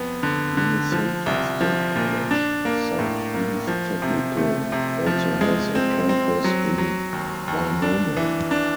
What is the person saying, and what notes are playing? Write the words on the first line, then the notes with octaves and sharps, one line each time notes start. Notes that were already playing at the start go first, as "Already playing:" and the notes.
Minnesota State College-Southeast Technical also has a campus in Winona.
Already playing: F2 B3
D3
D3
F3
C2
F3
A#2
D4
A#3
A2
A#3
F3
C3
A3
C3
F3
G#3
C4
C4
F#3
F#3
D#2
D#2
D4
E3
D4